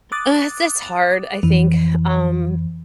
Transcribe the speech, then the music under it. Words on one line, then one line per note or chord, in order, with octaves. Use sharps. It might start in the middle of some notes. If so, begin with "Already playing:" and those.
Uh, it's just hard, I think. Um
D6 D#6 F#6 A6
F2 E3